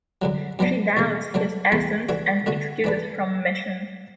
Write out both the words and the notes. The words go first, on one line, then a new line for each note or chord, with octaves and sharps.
She doubts his absence and excuses from mission.
F#2 D3 F#3
F#2 F#3 B3 D4
E2 B2 A3
F#3 A3 D4
E2 E3 A3 E4
E3 D4 F#4 A4
D3 A3 F#4
E3 D4 B4